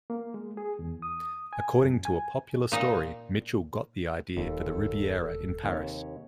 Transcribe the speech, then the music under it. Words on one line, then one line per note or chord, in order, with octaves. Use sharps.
According to a popular story, Mitchell got the idea for the Riviera in Paris.
A#3
G#3
G#4
E2
D#6
G#5
F#2
G#5
A#2 D#4
D#1 D#2 A4
D#2 C3 C#5